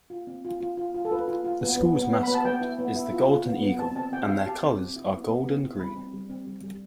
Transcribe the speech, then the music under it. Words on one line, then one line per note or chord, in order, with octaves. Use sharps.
The school's mascot is the golden eagle and their colors are gold and green.
F4
C4
F4
F4
F4
F4
A4
F4 B4
F4
F4
B3
B3
B3
B3
B3 B5
A5
B3 G5
E4
B3
E4
F4
F4
B3
B3
C4 A5
C4 A5
C4 G5
E5
G4 F5
G4 A5
C4
C4
E4
B3
B3
G4
E4
G3 B5
C4
G3
C4
G3
G3